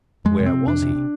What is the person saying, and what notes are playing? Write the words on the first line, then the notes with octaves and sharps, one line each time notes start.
Where was he?
F2 G#3
C3
C4
C3
F2 D4
C3
C3